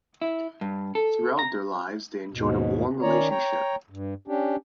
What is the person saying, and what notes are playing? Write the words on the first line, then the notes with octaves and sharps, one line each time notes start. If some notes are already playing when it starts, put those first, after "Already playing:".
Throughout their lives, they enjoyed a warm relationship.
E4
G2
A4
A#5
D#2 G#2 B2
D#3 C#4 C#5 D5 A#5
C#5 G5 A#5
G2
C#4 D4 G4